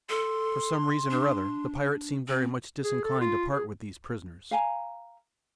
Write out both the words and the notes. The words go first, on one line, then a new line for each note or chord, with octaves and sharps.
For some reason or other, the pirates seemed very much disinclined to part with these prisoners.
A4 C6
D4
C4
G#4
A4
F4
G#4
F5 G#5 A#5